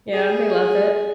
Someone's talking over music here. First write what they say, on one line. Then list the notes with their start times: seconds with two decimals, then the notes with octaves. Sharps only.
Yeah, they love it.
0.13 G#4